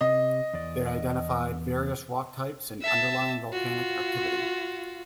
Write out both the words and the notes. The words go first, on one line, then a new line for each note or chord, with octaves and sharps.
They identified various rock types and underlying volcanic activity.
C3 D#5
E2 D5
E5 A5
F4 F#4